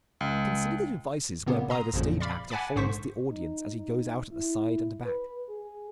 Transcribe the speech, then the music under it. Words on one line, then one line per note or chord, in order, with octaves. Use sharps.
Consider the devices whereby the stage actor holds the audience as he goes out at the side and back.
C#2
A#2 C#3 A#3 B3
A#5 C6 D#6
A1 F2 A#2 C#3 F3
D5 F5 B5
F#5 G#5 A5 B5 D6
A1 G#2 D3 C5 C#6 B6
D#4
D#4
E4
B4
G#4